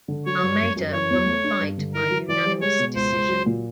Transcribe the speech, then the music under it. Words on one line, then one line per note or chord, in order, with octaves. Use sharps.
Almeida won the fight by unanimous decision.
D3
F#3 C#5
G2
F#2
F#2
E3 C#5
E2
A3
D4
G2
D3
E4 A#4
F#3
E3 D5
G3
G#3 C#5
B2
C#2 C5
C#2
F#3
A#2